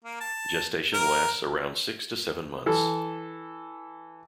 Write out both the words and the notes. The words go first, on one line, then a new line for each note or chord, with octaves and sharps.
Gestation lasts around six to seven months.
A#3
A5
A#4
E3 A4